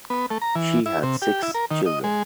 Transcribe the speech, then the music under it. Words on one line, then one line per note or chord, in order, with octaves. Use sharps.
She had six children.
B3
A3
A#5
E3
E4
C3
G4
E4
A#4
D#3
D#5
G#3